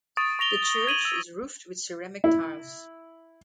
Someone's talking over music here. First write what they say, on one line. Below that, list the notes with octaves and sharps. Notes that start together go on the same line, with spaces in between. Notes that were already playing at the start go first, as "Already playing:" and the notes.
The church is roofed with ceramic tiles.
C#6 D#6 A6 D7
C#6 A#6 F7 G7
G#6 D#7 F#7 G7
E6
E4